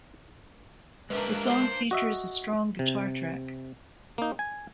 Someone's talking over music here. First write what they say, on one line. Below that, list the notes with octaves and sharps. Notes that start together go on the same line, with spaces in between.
The song features a strong guitar track.
G#3 A#3 D4 A#4 B4 E5 F#6
C5
F#4 D#5 E5
C3
A#3 D#4
G#5